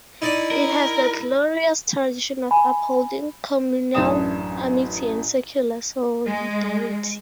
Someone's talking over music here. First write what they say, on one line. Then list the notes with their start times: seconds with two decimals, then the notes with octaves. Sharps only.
It has the glorious tradition of upholding communal amity and secular solidarity.
0.22 D#4 E4 D5
0.51 A#4
2.51 G#5 B5
3.95 A1 F#2 D4 E5 D#6 E7
6.25 G#3